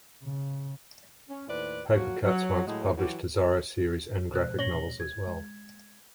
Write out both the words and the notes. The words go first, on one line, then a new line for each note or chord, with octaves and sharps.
Papercutz once published a Zorro series and graphic novels as well.
C#3
C#4
D#2 A2 B4 C5 D5
F3 F#3 A#3 F#4
F#3
A2 F#3 G#3
E3 F#3 F#4 G4
B2 F3 G#3 C5 F#6
A#2 C#4 C#5 A#6 F#7 G7
G#6
G#3